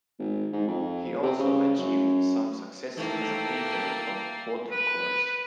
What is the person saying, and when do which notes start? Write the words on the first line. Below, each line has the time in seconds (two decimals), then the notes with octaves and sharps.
He also achieved some success as a painter of watercolours.
0.19 G#1
0.53 G#2
0.67 F2
1.23 C3
1.40 C#3
1.78 F#2
2.97 D#3 E3 A3 A#3 A4 E5 G5 A5
4.71 B4